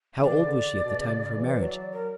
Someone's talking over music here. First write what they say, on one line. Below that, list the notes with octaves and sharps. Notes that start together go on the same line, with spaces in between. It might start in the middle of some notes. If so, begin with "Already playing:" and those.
"How old was she at the time of her marriage?"
E3 D5
C#3
D3
B2
C#3
C#3
E3
F#3 D5
A#4